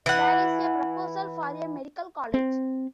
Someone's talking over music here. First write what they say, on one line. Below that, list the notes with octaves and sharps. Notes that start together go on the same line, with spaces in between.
There is a proposal for a Medical College.
E3 F#5
C4